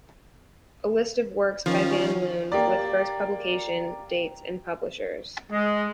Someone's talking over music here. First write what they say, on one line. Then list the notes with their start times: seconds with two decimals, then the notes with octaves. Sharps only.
A list of works by van Loon, with first publication dates and publishers.
1.66 D#3 F3 C#4
2.52 A#3 G4 D5
5.52 G#3